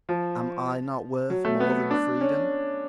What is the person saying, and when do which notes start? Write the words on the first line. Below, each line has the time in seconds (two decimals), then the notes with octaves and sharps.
Am I not worth more than freedom?
0.09 F3
1.30 F#3
1.45 A3
1.60 B3
1.91 D4
2.21 C#4